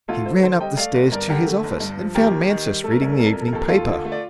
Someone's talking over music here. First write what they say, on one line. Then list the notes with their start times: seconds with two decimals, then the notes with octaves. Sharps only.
He ran up the stairs to his office, and found Mansus reading the evening paper.
0.08 D2 F4 A4
0.25 D2 A4 C5
0.43 D3 A4 C5
0.60 G3 D#5 G5
0.77 A3 D5 F5
0.94 G1
1.12 G2 A#4 D5
1.28 D3 G4 A#4
1.46 A3
1.64 G1
1.80 G2
1.98 F3
2.15 D#2 G4 A#4
2.32 D#2
2.50 D#3
2.67 G3
2.83 A3 A4
2.91 A#4
2.97 A4
3.01 C2 A#4
3.12 A4
3.19 C3 A#4
3.26 A4
3.33 F3 A#4
3.41 A4
3.48 A#4
3.53 D#2 A4
3.61 A#4
3.68 D#2 F4 A4
3.88 D3
4.05 A3
4.12 D5